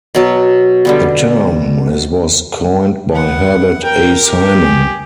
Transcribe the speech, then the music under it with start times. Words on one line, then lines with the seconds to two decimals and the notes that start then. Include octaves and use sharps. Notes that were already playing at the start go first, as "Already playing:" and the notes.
The term is was coined by Herbert A. Simon.
0.15 B2 F#3 A5
0.85 D3 G3 B3
3.12 B3 F#5
3.84 A#4 G5
4.22 G4
4.62 G#4